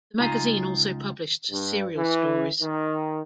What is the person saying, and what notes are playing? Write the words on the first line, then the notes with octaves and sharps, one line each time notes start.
The magazine also published serial stories.
C#2 D#4 F4 G#5 A#5
G2
E3
D#3